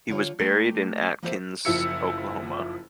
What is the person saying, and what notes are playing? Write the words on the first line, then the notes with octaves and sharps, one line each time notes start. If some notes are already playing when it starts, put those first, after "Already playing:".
He was buried in Akins, Oklahoma.
D3 G3 F4 C#5
A3 G4 A#4
A#3 B3 G4 A4 C5 E5
F#1 F3 E4 E6 C#7